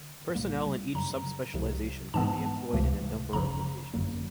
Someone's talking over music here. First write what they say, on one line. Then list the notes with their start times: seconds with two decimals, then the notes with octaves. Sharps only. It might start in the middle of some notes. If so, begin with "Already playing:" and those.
Personnel in each sub-specialisation can be employed in a number of locations.
Already playing: D3
0.35 C2 A#2 G3 A#3
0.95 F#2 C#3 F#3 A#5
1.54 C2 C3 F3
2.14 G#2 E3 G#3 B3 A5
2.73 C#2 C3 E3 A3
3.33 G1 F#2 C#3 F3 A#5
3.94 G#1 F#2 D3 F#3 A#3